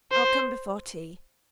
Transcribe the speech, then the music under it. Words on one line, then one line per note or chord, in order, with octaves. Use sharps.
I'll come before tea.
C5